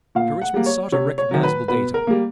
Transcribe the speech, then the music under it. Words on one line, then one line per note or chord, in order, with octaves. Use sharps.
Sir Richmond sought a recognizable datum.
A#2 F5
F#5
G3 A#3
C#5
C3 C#5
C#5
D#3 F#3
B4
B2 B4
A#4
G3 A#3